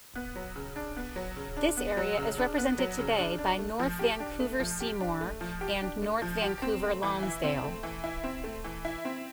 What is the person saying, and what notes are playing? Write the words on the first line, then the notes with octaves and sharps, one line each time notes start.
This area is represented today by North Vancouver-Seymour and North Vancouver-Lonsdale.
B3
F#3
C#3
D4
B3
F#3
C#3
D4
B3
F#3
C#3
D4
B3
F#3
C#3
D4
D4
A3
F3
G4
D4
A3
F3
G4
D4
A3
F3
G4
D4
A3
F3
G4
C4
A3
E3
E4
C4
A3
E3
E4
C4
A3
E3
E4
C4